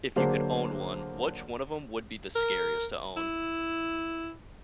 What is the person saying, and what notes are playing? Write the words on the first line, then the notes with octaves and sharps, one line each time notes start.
if you could own one, which one of 'em would be the scariest to own?
D3 F#3 A#3 D4 G#4 C5
A#4
E4